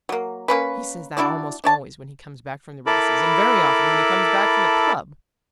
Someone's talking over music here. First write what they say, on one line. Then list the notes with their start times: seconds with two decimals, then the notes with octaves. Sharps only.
"He says that almost always when he comes back from the races, and very often when he comes back from the club."
0.09 F#3 A#3
0.48 A#3 C#4 B4
1.17 D4 E4 F#4 D5
1.64 D4 C#5 A5
2.86 E4 A4 A#4 A5 B5 D6